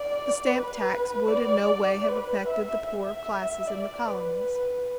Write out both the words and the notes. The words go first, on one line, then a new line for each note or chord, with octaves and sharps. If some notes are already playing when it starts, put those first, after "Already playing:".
The stamp-tax would in no way have affected the poorer classes in the colonies.
Already playing: D5
B4
D5
B4
E5
E5
D5
B4